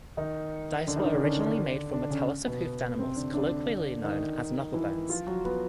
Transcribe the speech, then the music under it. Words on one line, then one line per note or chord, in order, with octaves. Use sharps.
Dice were originally made from the talus of hoofed animals, colloquially known as "knucklebones".
D#3 D#4
D3 D4
D#3 D#4
D3 D4
C#3 C#4
D3 D4
D3 D4
C#3 C#4
B2 B3
C3 C4
D3 D4
D3 D4
D#3 D#4
E3 E4
F3 F4
F#3 F#4
B3 B4